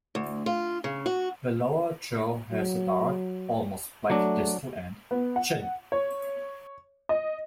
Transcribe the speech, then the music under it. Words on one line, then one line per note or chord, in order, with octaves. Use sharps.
The lower jaw has a dark, almost black distal end, "chin".
D2
F4
C#3
F#4
F#3
F#3 A3 D4
B3
F#5
C#5
D#5